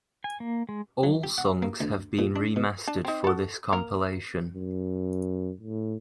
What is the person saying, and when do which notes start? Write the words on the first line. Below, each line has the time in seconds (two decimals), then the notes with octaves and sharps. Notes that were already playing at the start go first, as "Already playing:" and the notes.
All songs have been remastered for this compilation.
0.24 G#5
0.40 A#3
0.69 G#3
1.03 F#3
1.24 G4
1.38 F#5
1.62 A#3
1.81 D2
2.19 A#2
2.36 D4
2.56 B2
2.87 D4 A5
3.05 C4 D#4
3.24 F#4 A4
3.72 A#3 A#4
4.54 F#2
5.60 A2